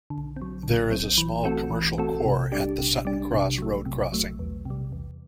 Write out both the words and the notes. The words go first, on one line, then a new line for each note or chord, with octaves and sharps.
There is a small commercial core at the Sutton Cross road crossing.
D3
C4
F#3
D3
F#3 C4
E3
A3 C4 F#4 A4
E3
A3 C4 F#4 A4
C3
G3 D4 G4
C3
G3 D4 G4
C3
F#3 A3
C3
F#3 A3
E2
C3 G3
E2